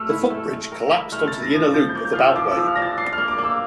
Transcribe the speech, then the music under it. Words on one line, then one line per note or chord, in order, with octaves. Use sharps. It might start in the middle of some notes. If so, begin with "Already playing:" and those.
The footbridge collapsed onto the inner loop of the Beltway.
Already playing: A3 E6 F6
E4
A3
A3
A#4
E4
A3 F6
A6
E4
A#6
F3 A6
F3 G6
G6
A#3
G6
F3 F6
E6
F3 D6
E6
F3
F6
D4 A#6
A6
D4 C7
F6
A#3
D6
A#3
E6